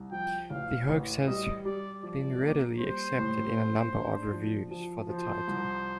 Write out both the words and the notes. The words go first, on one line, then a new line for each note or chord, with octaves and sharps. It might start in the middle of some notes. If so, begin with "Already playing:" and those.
The hoax has been readily accepted in a number of reviews for the title.
Already playing: C2
F3 G5
A1 F5
A1
G3 D#5
G3 D5
F3 D5
A#3
G3 C5
A2
A3
D4
F3
F3
F3 C5
C2